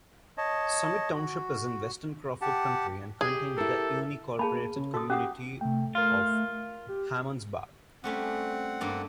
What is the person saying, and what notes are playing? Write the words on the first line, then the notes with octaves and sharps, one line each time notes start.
Summit Township is in western Crawford County and contains the unincorporated community of Harmonsburg.
C#5 D#5 A5
F#4
G4 F#5 A5
G4 G#4
E4 A4 A#4
A#3 G#4 A5 B5
C#3
F#4 A4 D#6
C#4 G4 F#5 D#6
C3 A3 G5
F4 A#4 F5
G4
G3 A3 C4 C#4 F#5
G2 A#3 A4